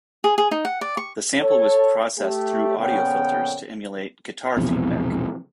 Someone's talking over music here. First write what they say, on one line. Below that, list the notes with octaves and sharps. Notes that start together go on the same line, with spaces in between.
The sample was processed through audio filters to emulate guitar feedback.
G#4
G#4
D#4
F#5
D5
C#6
A4 C#5
A3 G4
F2 A#2 C#3 B3 C#5 G5
E1 A#1 E2 C3